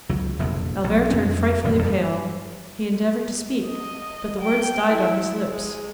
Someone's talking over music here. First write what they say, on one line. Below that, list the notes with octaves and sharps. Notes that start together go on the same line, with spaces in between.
Albert turned frightfully pale; he endeavored to speak, but the words died on his lips.
C#2 F#3
F1 A#1 E2
B1
F2 F3 B3 C#4
D#1 A1 F2 G3
G2 F3 G3
D#5
G5
E4
G#3